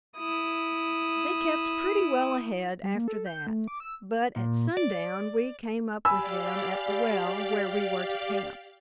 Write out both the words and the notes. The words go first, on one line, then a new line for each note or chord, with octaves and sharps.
They kept pretty well ahead after that, but at sundown we came up with them at the well where we were to camp.
E4 D#6
G3
A#3
A4
G6
A3
D6
E6
A#2
D5
G4 D5 F5 G#5 B5 E6